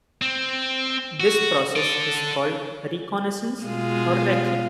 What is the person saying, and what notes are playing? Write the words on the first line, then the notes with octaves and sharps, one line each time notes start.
This process is called reconnaissance or recce.
C4
F#4
A4 D5
B2 G#3 F4